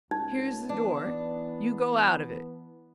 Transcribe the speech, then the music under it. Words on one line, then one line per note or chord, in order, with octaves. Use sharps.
Here's the door, you go out of it.
C#2 D#4
E3 B3 D4